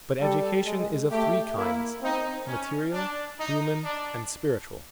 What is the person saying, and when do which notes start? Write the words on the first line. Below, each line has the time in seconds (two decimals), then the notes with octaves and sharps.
But education is of three kinds: material, human and spiritual.
0.20 G3 A4
0.66 G#3
1.11 A3 G4
1.57 A#3 E4
2.02 C4 D#4
2.47 C#4
2.93 D4
3.38 D#4
3.83 D4